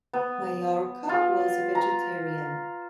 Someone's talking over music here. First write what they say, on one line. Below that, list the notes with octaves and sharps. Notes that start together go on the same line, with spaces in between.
Maiorca was a vegetarian.
B3
F4
A#5